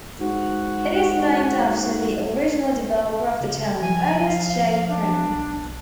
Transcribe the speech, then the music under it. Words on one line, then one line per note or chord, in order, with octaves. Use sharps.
It is named after the original developer of the town, Ernest Jay Primm.
G#2 F#4
C#3
F3 G#5
F5
D4
B1